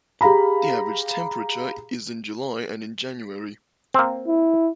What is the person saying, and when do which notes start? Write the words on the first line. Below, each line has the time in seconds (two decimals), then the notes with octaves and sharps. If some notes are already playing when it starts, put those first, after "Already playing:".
The average temperature is in July and in January.
0.21 G4 G#4 F5 A#5 B5
3.94 A#3 C4
4.28 E4